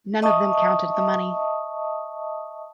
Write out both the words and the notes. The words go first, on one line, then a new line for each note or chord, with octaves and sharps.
None of them counted the money.
D#5 E5 A5 C#6 D#6